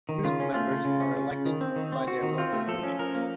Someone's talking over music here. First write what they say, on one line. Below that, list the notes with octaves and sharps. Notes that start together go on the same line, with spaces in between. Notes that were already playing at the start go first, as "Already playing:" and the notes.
Youth members are elected by their local unit.
D#3
C#3 F4
C#4
A3 F4
C#3
C#3
C#4
C#3
C#3
D#3
C4
D#3
C4
C4 F#4
D#3
C4 F4
A3
F3 A4
C#4
F3 A#4
A#3